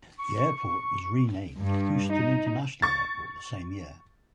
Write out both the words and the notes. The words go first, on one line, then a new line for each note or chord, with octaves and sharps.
The airport was renamed Houston International Airport the same year.
C#6
G2
D#4
C#6 A6